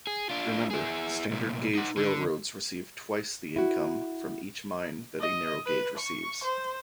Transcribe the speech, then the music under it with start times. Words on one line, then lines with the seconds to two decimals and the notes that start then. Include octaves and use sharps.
Remember, standard-gauge railroads receive twice the income from each mine that a narrow-gauge receives.
0.07 G#4
0.30 D4 F4
0.71 E4 G#4
1.31 C2 A#2
1.75 D#4 F#5
1.97 D3
3.56 E4 F#4
5.20 D#5
5.66 B4
5.97 C#6
6.44 C5